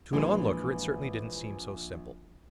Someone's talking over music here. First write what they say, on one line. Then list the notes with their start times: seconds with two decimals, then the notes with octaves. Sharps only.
To an onlooker it certainly didn't seem so simple.
0.13 A#1 E3 G#3